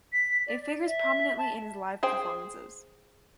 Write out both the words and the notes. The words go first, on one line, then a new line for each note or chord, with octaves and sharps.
It figures prominently in his live performances.
B6
D5
D5
E5
A5
G#4 C5 G5